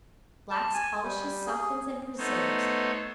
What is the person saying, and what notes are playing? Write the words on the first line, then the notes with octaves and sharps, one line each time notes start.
Blacks, polishes, softens and preserves.
A5
G#5
G3
G#4
A3 B3 D#4 C5 C#5